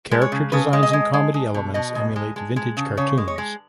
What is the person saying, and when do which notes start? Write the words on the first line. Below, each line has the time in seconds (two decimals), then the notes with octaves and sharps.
Character designs and comedy elements emulate vintage cartoons.
0.11 G#3
0.22 C#5
0.32 C#3
0.52 C#3 B4
0.73 G#3
0.83 D#5
0.93 G#3
1.13 G#3
1.34 G#3
1.54 B2
1.74 B2 D#5
1.95 G#3
2.16 G#3
2.36 G#3
2.56 G#3
2.77 C#3
2.97 C#3 C#5
3.18 G#3
3.28 C#5
3.38 G#3